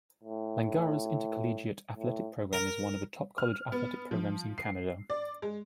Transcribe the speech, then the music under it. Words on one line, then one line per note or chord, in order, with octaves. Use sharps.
Langara's intercollegiate athletic program is one of the top college athletic programs in Canada.
A2
A2
A#4
F6
B3
F3
C7
D5
G#3